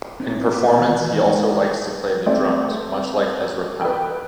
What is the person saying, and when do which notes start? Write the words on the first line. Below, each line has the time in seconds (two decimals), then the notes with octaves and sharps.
In performance he also likes to play the drums, much like Ezra Pound.
0.20 C4 D#4 E4 A#4 B4 C#5
0.53 A3 A#3 G4 G#4 A#4 E5
0.79 D#3 E3
1.23 G#3 A3 D#4 G#4
2.26 A3 C4 D5
3.81 B4 G5